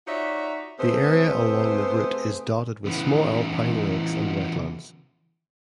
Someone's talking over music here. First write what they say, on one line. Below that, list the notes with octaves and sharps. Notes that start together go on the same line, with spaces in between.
The area along the route is dotted with small alpine lakes and wetlands.
D#4 F4 F#4 C#5 D5 E5
C3 A3 B3 G#4 C5
C#3 E3